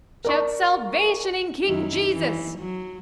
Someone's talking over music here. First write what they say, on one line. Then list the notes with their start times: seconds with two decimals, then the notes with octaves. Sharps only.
Shout salvation in King Jesus.
0.25 A#4 D5 C#6
1.65 F#2 D#3 E4
2.12 E3
2.58 F#3